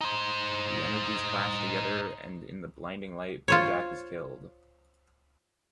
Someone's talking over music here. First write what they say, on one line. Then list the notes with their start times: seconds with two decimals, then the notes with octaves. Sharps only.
The energies clash together and in the blinding light Bojack is killed.
0.01 D#4 C5
3.48 F4 C5 C#5